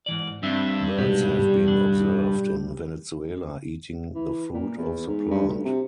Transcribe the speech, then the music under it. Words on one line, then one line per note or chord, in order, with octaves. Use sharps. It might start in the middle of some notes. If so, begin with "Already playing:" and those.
Birds have been observed in Venezuela eating the fruit of the plant.
G#2 E3 D5
G2 C4 D4 E5
C2 G#2 B2 B3 G4
G3
B2 D4
E3
A#2
E2
G#2
G2
D2
C3